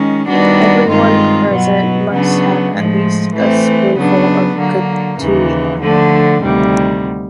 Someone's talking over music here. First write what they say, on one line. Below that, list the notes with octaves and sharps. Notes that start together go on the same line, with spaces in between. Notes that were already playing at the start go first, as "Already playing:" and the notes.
Everyone present must have at least a spoonful of kutia.
Already playing: D#3 G#3 C#4
D#3 G3 B3 D4 F#4
G2 D#3 G#3 C4 F4
B2 F#3 B3
C#3 F#3 B3 D4
A2 F3 G#3
E3 A3 C4
C#3 F#3 B3 D4
D3 F#3 A#3
D#2 C#3 E3
D3 F3 A3 D4
D2 C3 D#3 G3